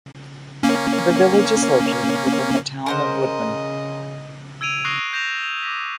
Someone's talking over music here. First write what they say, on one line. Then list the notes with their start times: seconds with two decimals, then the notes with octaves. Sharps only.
The village is located within the Town of Woodman.
0.63 A#3 C#4
2.86 C#3 A#4 C5 D#5 F#5
4.61 E6 G#6 D7 D#7 F7
4.85 C#6 D#6 F#6 A#6 C7 G7
5.13 G6 A#6 E7 F7
5.43 F7
5.63 D6 A#6 B6